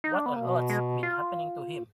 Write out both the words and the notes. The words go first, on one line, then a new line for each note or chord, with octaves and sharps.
What on earth's been happening to him?
D#4
D4
B3
B2 A#3
G#3
F4